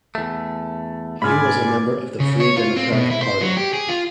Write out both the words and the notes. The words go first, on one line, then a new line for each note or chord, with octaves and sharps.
He was a member of the Free Democratic Party.
E2 A3
G#2 D5 G#5 B5 F6
C#3
C#5
F4
C4
B2
E4
C5
F#3
G4
G#4
F4